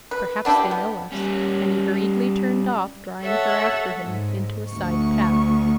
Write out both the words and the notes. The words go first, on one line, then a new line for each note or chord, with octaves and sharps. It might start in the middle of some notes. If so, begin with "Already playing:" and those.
"Perhaps they know us!" and he hurriedly turned off, drawing her after him into a side path.
B4
B3 D4 E4 G4
B3
G3 C#4
A4 C#5 E5 F#5
G#2
D2 C#6